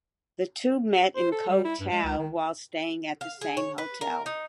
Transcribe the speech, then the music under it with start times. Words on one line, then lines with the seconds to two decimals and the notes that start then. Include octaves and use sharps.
The two met in Koh Tao while staying at the same hotel.
1.16 C5
1.32 A4
1.49 G3
1.65 E4
1.80 G2
1.92 G#3
2.04 C#2
2.18 D#3
3.21 F5
3.41 G#4
3.57 C#5
3.78 B4
4.01 A#4
4.26 D#4